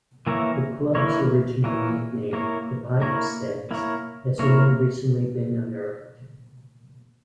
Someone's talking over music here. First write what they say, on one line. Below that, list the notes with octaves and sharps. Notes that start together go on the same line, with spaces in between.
The club's original nickname, The Pipe Stems, has only recently been unearthed.
E3 A#3 E4 A#4 C#5
E3 A#3 E4 A#4 C#5
E3 A#3 E4 A#4 C#5
A#3 E4 A#4 C#5
A#3 E4 A#4 C#5
A#3 E4 A#4 C#5
A#3 E4 A#4 C#5